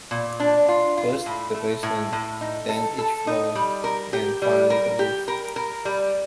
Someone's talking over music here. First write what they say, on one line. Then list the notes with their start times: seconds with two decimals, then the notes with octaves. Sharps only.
First the basement, then each floor, and finally the roof.
0.11 A#2
0.40 D4
0.68 F4
0.97 F4
1.26 A2
1.54 A3
1.83 A2
2.12 A2
2.41 D#4
2.69 A4
2.98 A4
3.27 D#4
3.55 G3
3.84 A#4
4.13 G4
4.42 G3
4.70 A#4
4.99 G4
5.28 A#4
5.56 A#4
5.85 G3